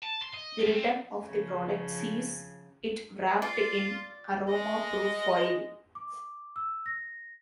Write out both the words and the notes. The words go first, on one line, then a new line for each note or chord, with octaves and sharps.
The return of the product sees it wrapped in aroma proof foil.
A5
C6
D#5
F#2
C3
C#3 F3
F4 D5
G#3 D#5
D6
E6
A#6